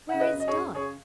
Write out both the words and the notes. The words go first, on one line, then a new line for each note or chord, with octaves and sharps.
"Where is Dot?"
C#3 F#5
B4 D#5
F#2
D#5
G#4 C#5
F#2
C#3 G#4 C#5